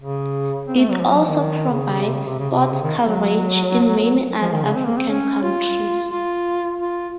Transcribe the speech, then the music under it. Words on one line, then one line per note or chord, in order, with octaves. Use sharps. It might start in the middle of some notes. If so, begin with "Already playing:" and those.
It also provides sports coverage in many other African countries.
C#3
C4
A3
F#3
F3
F#3
F3
D#3
C#3
C3
C#3
C3
C#3
C3
C#3
D#3
F#3
F3
D#3
C#3
C4
A#3
C4
C#4
F4
F4
F4